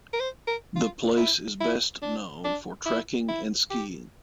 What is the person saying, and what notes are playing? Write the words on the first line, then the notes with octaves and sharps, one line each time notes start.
The place is best known for trekking and skiing.
A#4
C5
A#4
F4
E4
E4
D4
D4
E4
E4
G4